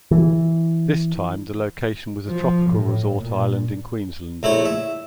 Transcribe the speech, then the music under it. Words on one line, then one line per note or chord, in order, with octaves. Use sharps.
This time the location was a tropical resort island in Queensland.
E3
F3
A2
A#2
A#1 A3 E4 C#5
E5